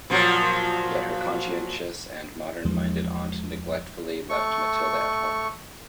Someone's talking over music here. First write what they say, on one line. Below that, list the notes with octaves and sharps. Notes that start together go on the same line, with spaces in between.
Yet her conscientious and modern-minded aunt neglectfully left Matilda at home.
A#2 F3 F#3
E2 F3 G#3
A3 C#6